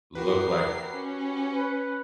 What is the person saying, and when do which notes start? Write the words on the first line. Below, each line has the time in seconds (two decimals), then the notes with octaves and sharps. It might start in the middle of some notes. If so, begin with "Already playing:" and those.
look like
0.15 F#4 G4 A#4 B4 C7
0.94 C#4
1.53 B4